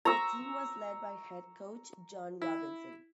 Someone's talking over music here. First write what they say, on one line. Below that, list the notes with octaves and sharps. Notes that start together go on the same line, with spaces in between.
The team was led by head coach John Robinson.
A#5 C#6 E6
E4